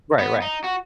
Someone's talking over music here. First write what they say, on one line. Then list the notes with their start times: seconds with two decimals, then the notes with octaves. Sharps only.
Right, right.
0.19 B3
0.42 D#4
0.64 F#4